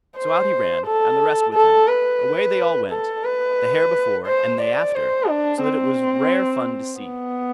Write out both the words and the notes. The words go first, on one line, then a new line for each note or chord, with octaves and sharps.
So out he ran, and the rest with him--away they all went, the hare before, and they after; so that it was rare fun to see.
C5
A4
A4
B4
A4
B4
C5
D5
C5
D4
C4
B3